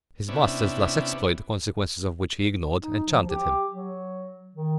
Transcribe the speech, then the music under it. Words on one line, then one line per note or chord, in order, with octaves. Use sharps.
His master's last exploit, the consequences of which he ignored, enchanted him.
C3 B3 C#4 D4 E4
D#4
F3
G4
F#3
D#3